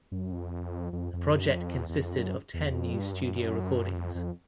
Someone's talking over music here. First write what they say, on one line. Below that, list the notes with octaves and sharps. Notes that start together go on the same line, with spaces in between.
The project consisted of ten new studio recordings.
F#2
F2
F2
F2
F#2
F2
E2
E2
F2
F#2
E2
F2
G2
F#2
F2
F2